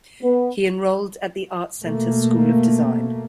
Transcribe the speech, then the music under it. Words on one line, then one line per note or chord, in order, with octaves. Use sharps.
He enrolled at the Art Center School of Design.
B3
B2 A3 A#3